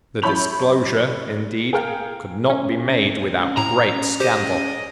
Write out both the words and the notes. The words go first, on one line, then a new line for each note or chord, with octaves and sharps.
The disclosure, indeed, could not be made without great scandal.
F#2 E4 C#5 B5 G6 F7
G#4 A#4 F5 G5 F6
C#4
D2 C4
A2 A#5
G4 G#4 C5 D5 D#5